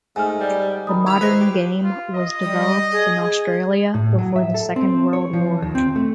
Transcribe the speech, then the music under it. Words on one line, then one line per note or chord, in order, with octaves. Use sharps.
The modern game was developed in Australia before the Second World War.
G#2 A3 G#5 F6
G3
D#3 A#5 B5 D#6
E4 B5 G#6 F7
B4 C5 C#6
G4
F4
D#5
G3
G#4
A2
F#3
E5
A4
C4
C#5
F3
D#2
C4
A3